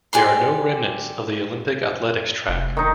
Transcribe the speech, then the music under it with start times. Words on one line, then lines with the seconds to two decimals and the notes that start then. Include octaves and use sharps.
There are no remnants of the Olympic athletics track.
0.13 G4 G#4 D5 C6
2.48 F1
2.77 D#3 D#4